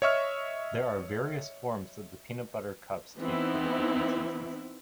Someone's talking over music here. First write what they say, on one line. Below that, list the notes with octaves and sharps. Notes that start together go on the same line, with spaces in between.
There are various forms that the peanut butter cups take for the different seasons.
C#5 D#5 E5 C#6 F6
E3 B3 C4 D#4 E4